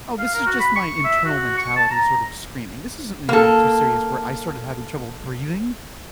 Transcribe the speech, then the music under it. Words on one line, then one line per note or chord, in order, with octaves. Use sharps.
"Oh, this is just my internal mentality sort of screaming. This isn't anything too serious," where I started having trouble breathing,
F5
A#4
F#4
B5
C#6
E5
F#4
C#6
A5
A#5
A#3 A4